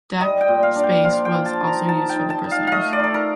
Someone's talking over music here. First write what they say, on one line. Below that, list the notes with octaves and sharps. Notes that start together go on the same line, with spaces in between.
Deck space was also used for the prisoners.
G3 D#5
G5
A#2
F5
D4
G5
F3 F5
G5
F3
A5
D#4
A#5
D#4 A5
G5
D#4
A5
D#4
F5
A3 D#5 F5
D5
D#4 A4
A#4